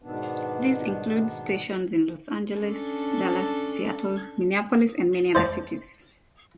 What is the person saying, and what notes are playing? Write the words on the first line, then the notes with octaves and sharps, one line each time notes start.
These include stations in Los Angeles, Dallas, Seattle, Minneapolis and many other cities.
G#2 B2 D#3 B3 D4
C#4 D4 A4
C5 D5 A5